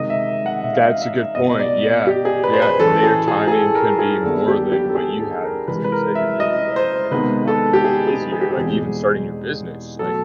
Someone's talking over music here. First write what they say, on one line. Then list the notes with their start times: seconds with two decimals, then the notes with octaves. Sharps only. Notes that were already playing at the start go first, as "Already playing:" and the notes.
Th that's a good point, yeah, yeah, their timing could be more than what you have because like you said, you're newlywed, you're gonna be a lot more busier, like, even starting your business, like,
Already playing: C3 D#3 G#3 D#5
0.10 E5
0.46 F#5
0.64 E5
0.73 F5
0.82 E5
0.92 F5
1.02 E5
1.35 C2 B2 G3 B3 D#5
1.60 D5
2.07 G4
2.25 G#4
2.44 B4
2.53 C5
2.62 B4
2.79 A2 E3 A3 C#4 A4
3.03 G#4
3.28 G#4
3.48 G#4
3.52 A4
3.75 A#4
3.99 G#4
4.23 D#2 D3 G3 B3 A4
4.48 G4
4.72 G4
4.89 A4
4.95 G#4
5.20 A4
5.43 A#4
5.67 C2 C3 E3 G#3 B4
5.84 B4
5.92 A#4
6.15 E5
6.40 D#5
6.76 C5
7.11 C3 D#3 G#3 B3 B4
7.48 A4
7.73 G4
7.84 G#4
8.07 G#4
8.32 G#4
8.41 G4
8.51 G#4
8.56 E2 B2 G#3 C4
9.99 B2 F#3 A3 A4